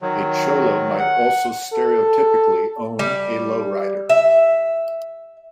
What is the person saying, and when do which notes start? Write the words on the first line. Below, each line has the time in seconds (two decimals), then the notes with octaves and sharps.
A cholo might also stereotypically own a lowrider.
0.02 D#3 F#3
0.99 F#5
1.74 A4
2.99 G3
4.09 E5